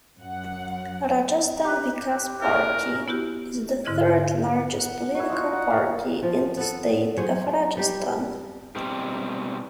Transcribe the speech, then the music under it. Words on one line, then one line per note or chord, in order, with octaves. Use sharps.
Rajasthan Vikas Party is the third largest political party in the state of Rajasthan.
F#2 F#5
G4 B4
G#3 C#4 E4 A#4
B3 E4 F#4 G4
G#2 D3 E4 D#5 F6 G#6
F#5
E4 F#4
D#4 F4 F#4
F#5
F5
F3
B3 A4
F#3 G#4 C5 C#5
G3 G4
B2 G3 C4